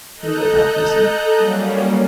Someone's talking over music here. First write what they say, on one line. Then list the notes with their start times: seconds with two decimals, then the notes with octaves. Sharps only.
He would not listen.
0.15 A4 D#5 A#5 F#6 G6
1.36 F#3 G3 A#3 C#4